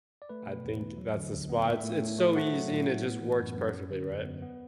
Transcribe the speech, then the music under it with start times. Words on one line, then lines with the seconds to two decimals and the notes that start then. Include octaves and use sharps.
I think that's the spot. It's so easy and it just works perfectly, right?
0.22 D5
0.29 A3 B4
0.47 B2
0.65 E2
0.81 E2
0.98 F#3
1.15 D3
1.33 D2
1.49 B3
1.67 A2 E5
1.84 A3
2.01 A2
2.18 A3
2.36 A3 F#5
2.53 F#3
2.71 A2
2.87 A2
3.04 B3
3.21 E3
3.39 F#2
3.56 F#2
3.73 F#3
3.90 D3
4.07 E2
4.24 B3
4.42 B3